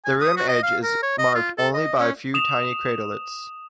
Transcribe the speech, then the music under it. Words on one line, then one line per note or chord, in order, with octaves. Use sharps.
The rim edge is marked only by a few tiny craterlets.
G#5
D#6
F#4
D#5
F5
A#4
C#5
D#5
F4
A4
D#5
C#4
D#6 E7 F7